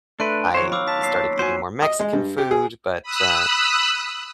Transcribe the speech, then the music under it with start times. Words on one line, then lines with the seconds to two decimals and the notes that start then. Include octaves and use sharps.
I started eating more Mexican food, but, uh,
0.20 A3 D4 B4 C6 F#6 D7
0.54 B2 D#3 F3 F#3 C5 C#5
0.72 F5 B5 D6 E6
0.88 A5 B6
1.01 A#2 F#3 B6 C7
1.39 F#4 C5 G#5 C7
1.82 D#5
1.99 G#3
2.13 G2
2.38 G4
2.51 G#4
3.02 B5 D#6 E6 F#6